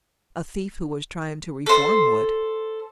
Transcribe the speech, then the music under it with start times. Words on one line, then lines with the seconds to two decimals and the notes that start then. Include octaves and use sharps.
A thief who was trying to reform would.
1.66 A4 C5